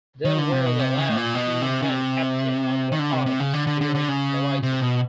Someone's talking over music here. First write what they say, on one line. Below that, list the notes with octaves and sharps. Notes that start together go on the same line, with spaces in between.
They were the last two men captured under arms during the Rising.
D#3
D3
C3
B2
C3
C#3
A2
A#2
B2
C3
C#3
C3
D#3
D3
C3
C3
C#3
D3
D3
D3
D3
C#3
C3
B2